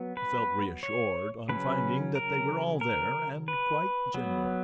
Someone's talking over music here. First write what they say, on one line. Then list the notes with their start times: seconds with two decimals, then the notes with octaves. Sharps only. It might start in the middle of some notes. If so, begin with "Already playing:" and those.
He felt reassured on finding that they were all there and quite genuine.
Already playing: F#3 B3
0.17 B4
0.83 C#5
1.49 C#3 F#3 C#4 B4
2.15 A#4
2.81 A#4
3.48 B4
4.14 F#3 B3